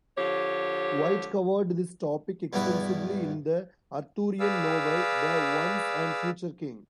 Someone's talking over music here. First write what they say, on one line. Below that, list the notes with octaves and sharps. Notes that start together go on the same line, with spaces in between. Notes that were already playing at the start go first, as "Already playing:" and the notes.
White covered this topic extensively in the Arthurian novel "The Once and Future King".
D3 F3 G4 C#5
E2 G2 B2 B3 E4
G#4 B4 D5 F5 E6